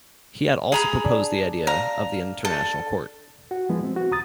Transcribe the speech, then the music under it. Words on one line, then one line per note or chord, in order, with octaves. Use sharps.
He had also proposed the idea of the International Court.
G#4 A#5 B5
D4
F5 A#5
A4
F#4 F#5
E3 F3 G#3 B3 E4
C4
F#4
C#2 A#5 D#6 A6